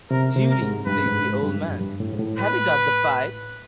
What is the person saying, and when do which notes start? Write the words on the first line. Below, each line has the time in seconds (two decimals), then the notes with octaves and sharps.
"Judy," says the old man, "have you got the pipe?"
0.11 C3 A#4
0.36 C3
0.49 A#4
0.62 G#2
0.87 G2 B4
1.06 G#2
1.25 G#2
1.43 G2
1.63 F#2
1.81 G2
2.00 A2
2.13 G#2
2.19 A2
2.38 B4